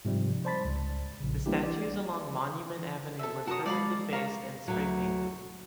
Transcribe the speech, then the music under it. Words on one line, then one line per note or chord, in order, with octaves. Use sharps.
The statues along Monument Avenue were further defaced and spray painted.
G#2 C3 F3 G3
C5 D5 A5 B5 A6 B6
C#2
A#1 C#3
E3 G3 A#3 D4 E4 G4
D5
A4 E5
F#4 A#4 C#5 A5 D#6
G#3 D5 F5 B5
A#4 C#5 F5
D2 F#3